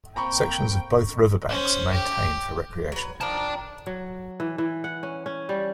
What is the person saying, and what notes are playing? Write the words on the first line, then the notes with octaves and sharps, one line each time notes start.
Sections of both river banks are maintained for recreation.
A#3 C4 G5 A#5 B5 C#6
C#4 C5
G4
F#3 B4
D#3 F3 D5 A5 A#5
F#3
E3
E3
F#5
C#4
C#4
G3